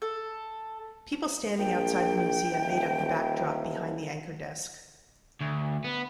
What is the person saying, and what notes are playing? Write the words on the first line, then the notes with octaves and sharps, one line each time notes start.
People standing outside the museum made up the backdrop behind the anchor desk.
A4
A#1 G5
D#1
D2
B3